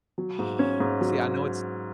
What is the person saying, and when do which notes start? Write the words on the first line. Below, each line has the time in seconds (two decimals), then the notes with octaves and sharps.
Oh, see, I know it's,
0.18 F#3
0.39 G#2
0.59 C#4
0.80 G#2
1.01 F#3